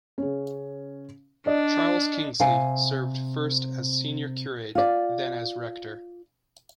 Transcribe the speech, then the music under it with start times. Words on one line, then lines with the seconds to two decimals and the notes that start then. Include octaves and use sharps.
Charles Kingsley served first as senior curate then as rector.
0.18 C#3 C#4
1.46 D4 D5 D#5
2.40 C3 F5 G#5
4.75 F4 D5